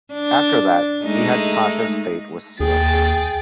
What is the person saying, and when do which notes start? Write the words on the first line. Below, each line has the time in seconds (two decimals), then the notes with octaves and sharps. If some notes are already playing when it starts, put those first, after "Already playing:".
After that, Midhat Pasha's fate was sealed.
0.13 D4
1.05 G#3 A3 D#4
2.60 D#2 G#4 G5 A6